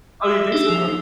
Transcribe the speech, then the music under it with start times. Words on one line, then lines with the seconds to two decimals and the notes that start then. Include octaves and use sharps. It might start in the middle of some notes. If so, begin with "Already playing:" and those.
Oh, you think so? Okay.
0.22 E5
0.52 D4 D#4 G4
0.70 F3